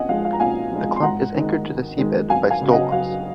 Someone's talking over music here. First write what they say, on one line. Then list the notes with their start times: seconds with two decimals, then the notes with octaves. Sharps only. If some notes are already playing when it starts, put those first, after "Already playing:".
The clump is anchored to the seabed by stolons.
Already playing: A#2 D#5 F#5 G#5
0.09 F3 G#3 F5
0.25 F5
0.33 A#5
0.40 A#2 F5 G#5
0.71 F3 G#3
0.96 C6
1.02 G#2 F#5 A#5
1.34 D#3 G#3
1.66 G#2
1.97 D#3 G#3
2.29 F#2 F5 G#5
2.50 F5 G#5
2.61 C#3 F#3
2.71 D#5 F#5
2.92 F#2 F5